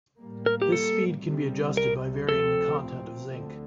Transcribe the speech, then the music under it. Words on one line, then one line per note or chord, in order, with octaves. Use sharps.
This speed can be adjusted by varying the content of zinc.
A2 G3 A#3
A#4
G4
A4
C2 C3 G3
A#4
D2 C3 F3 C4 A4
D2 D3